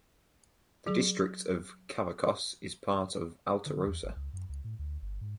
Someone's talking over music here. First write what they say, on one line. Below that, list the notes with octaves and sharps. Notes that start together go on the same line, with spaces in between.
The district of Cavacos is part of Alterosa.
F#3 G#4
D3
E2
G#1
C#2
F#2
C#2
A2
D2
G1
G#2